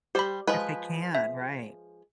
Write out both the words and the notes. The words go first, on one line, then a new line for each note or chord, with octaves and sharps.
If they can, right.
G3 G4 C5 B5
F3 G#3 B4
E5